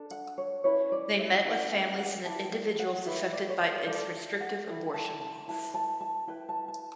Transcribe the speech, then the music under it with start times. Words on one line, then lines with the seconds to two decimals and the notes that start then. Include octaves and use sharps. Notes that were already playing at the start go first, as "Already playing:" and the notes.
They met with families and individuals affected by its restrictive abortion laws.
Already playing: D4 A4
0.11 F#5
0.38 C#5
0.64 C#4 E4 B4 C#5
0.92 D5
1.19 E5
1.45 C#4 E4 B4 F#5
1.72 G5
1.99 F#5
2.25 E4 G4 B4 A5
2.52 G5
2.79 F#5
3.06 E4 G4 B4 E5
3.33 D5
3.49 C#5
3.60 D5
3.87 E4 A4 D5
4.41 F#5
4.67 E4 A4 G5
4.94 A5
5.21 A5
5.48 E4 B4 A5
5.74 A5
6.01 A5
6.27 E4 B4 G5
6.49 A5
6.68 A5